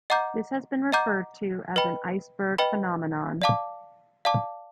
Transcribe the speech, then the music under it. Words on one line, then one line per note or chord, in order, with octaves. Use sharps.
This has been referred to as an "iceberg phenomenon".
D#5 F#5 A#5 D6 G6
D#5 F#5 A#5 D6 G6
B4 D#5 G5 B5
B4 D#5 G5 B5
D5 F5 A5 D6
D5 F5 A5 D6